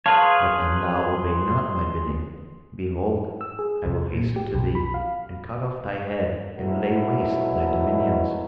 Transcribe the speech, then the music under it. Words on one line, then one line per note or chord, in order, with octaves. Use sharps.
But an thou obey not my bidding, behold, I will hasten to thee and cut off thy head and lay waste thy dominions.
G#4 B4 C#5 F5 A5 C6
E6
G#4
C2
A#2
G4
B1
B5
F5
G#2 B2 F#3 A3 E4